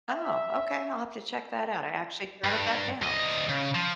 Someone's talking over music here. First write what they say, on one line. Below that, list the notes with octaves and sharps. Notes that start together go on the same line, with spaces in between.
Oh, okay. I'll have to check that out. I actually jotted that down.
E5
G2
D2 D#5
C#3
F3